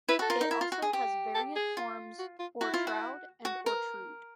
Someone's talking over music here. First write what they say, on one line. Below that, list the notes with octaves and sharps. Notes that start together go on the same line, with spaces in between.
It also has variant forms Ortraud and Ortrude.
E4 B4
F#4 A4
F4 A#4
D#4
E4
F4
F#4
G#4
G4
A4
G#4
F4
F#4
F4
E4 F#4
F4
F#4
F#4
A#4